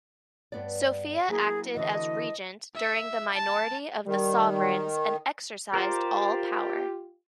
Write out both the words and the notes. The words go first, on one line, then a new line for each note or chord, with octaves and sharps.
Sophia acted as regent during the minority of the sovereigns and exercised all power.
G2 B3 D5
F#3 A#3 E4 G#4
D3 E3 F#4 D#5
E5
A5
D#3 G3
F4 G4 A#4 C5 D5